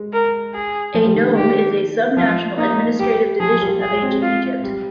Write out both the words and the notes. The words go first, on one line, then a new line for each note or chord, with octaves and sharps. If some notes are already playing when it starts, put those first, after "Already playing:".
A nome is a subnational administrative division of Ancient Egypt.
Already playing: G#3
A#4
G#4
F3
G3
D#3
D3
D#3 G4
F3 F4
A#3 D#4
G3 G4
F3 G#4
G3
G3 G#4
G#3
C4
G#3
F4
G3